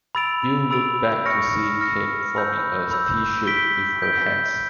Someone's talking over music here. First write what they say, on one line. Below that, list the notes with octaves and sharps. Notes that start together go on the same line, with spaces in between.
Bill looked back to see Kate forming a T-shape with her hands.
B5 E6 A6 D7 F7
B5 E6 A6 D7 F7
C#6 F6 A#6 C#7
C#6 F6 A#6 C#7
B5 E6 G6
B5 E6 G6
G6 B6 D7 G7
G6 B6 D7 G7